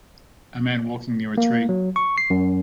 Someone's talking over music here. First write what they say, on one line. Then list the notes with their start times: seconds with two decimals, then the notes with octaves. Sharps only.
A man walking near a tree.
1.38 A#3
1.69 F#3
1.96 C#6
2.18 C7
2.30 F#2